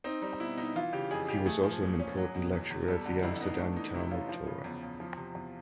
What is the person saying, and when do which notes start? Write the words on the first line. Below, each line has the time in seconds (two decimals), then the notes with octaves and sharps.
He was also an important lecturer at the Amsterdam Talmud Torah.
0.04 C4 D#4
0.22 G3 D#4
0.40 B2 E4
0.57 B2 D#4
0.75 E3 F4
0.93 C#3 G4
1.11 F2 G#4
1.28 F2 G4
1.46 A3 G#4
1.63 F3
1.82 A#2
1.99 C#4
2.17 F#3
2.35 B2
2.53 E2
2.70 E2
2.88 G3 A4
3.06 D3
3.23 F2 E4
3.41 B3 D#4
3.58 A3 D4
3.76 E3 D#4
3.94 C3 E4
4.11 C#4 F4
4.29 F3
4.47 C#3
4.64 E2
4.82 E2
5.00 F3
5.17 C3
5.35 E2